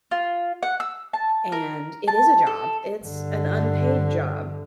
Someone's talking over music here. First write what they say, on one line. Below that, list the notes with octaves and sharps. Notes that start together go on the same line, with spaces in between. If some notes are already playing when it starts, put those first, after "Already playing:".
And it is a job. It's an unpaid job.
F4
F#5
E6
A5
A#4
A5
A4
G2 D3